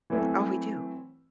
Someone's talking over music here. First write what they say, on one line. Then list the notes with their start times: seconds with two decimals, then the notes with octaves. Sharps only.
Oh, we do,
0.10 E3 F#3 A3 C4 E4